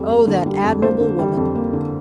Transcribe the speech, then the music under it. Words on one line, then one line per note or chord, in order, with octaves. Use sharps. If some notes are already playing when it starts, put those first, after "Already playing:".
Oh, that admirable woman!
Already playing: F2 G3
A#3
D3
G3
F2
A#3 C5
D3
G3
F2
A#3
D3